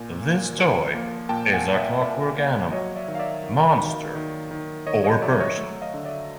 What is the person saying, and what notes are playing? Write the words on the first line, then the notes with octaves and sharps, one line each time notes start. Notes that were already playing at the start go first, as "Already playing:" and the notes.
This toy is a clockwork animal, monster, or person.
Already playing: A#2 G#5
A#3
F3
A#3
A#2 G5 A5
F#5 G#5
A#3
E5 F#5
A#3 D5 E5
A#3
F#3 C#5 D#5
D5 E5
D#3
F5
D5 E5
D#3
D#3
D#3
D#3
D#3 C#5 D#5
C#5 D#5
F#3 D5 E5
C#5 D#5
A3
D#5 F5
D3
D5 E5